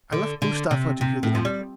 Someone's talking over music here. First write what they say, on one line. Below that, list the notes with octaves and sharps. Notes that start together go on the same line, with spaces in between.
I left Mustapha to hear the end of it.
D3
D3
C3
C3
A2
F3
G3